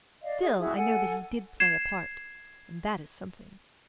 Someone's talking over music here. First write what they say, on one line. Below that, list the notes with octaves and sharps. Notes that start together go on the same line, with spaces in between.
Still, I know that he did play a part, and that is something.
D5 D#5 F5
G#4 D#5
E4 F#4 G#4 E5
A4 F#5 G#5
G#6 C7 E7